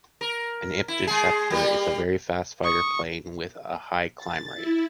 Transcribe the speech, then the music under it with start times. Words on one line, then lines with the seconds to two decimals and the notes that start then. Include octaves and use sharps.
An interceptor is a very fast fighter plane with a high climb rate.
0.21 A#4
0.88 E4
1.07 G#3 G#4
1.50 G3 A#3
2.64 C#6 D#6
4.17 A6
4.56 E4